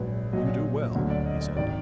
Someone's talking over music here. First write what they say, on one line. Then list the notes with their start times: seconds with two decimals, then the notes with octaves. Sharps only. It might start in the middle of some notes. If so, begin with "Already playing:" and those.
"You do well," he said.
Already playing: A#1 G#2 F#3 B4
0.33 A#1 A#2 F#3 D#5
0.95 D2 D3 F#3
1.10 D5
1.26 D#5
1.41 D5
1.56 G#1 D#3 D5